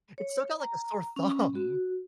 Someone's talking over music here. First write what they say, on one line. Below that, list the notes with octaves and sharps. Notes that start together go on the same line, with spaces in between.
It stuck out like a sore thumb.
C#5
A#5
C#4
F#4